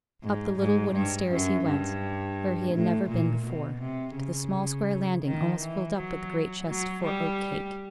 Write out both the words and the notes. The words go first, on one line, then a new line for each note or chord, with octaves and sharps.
Up the little wooden stairs he went, where he had never been before, to the small square landing, almost filled up with the great chest for oat-cake.
G#2
G#2
G2
F#2
G2
A2
A#2
B2
C3
C#3
D#3
E3
F#3
F#3
G3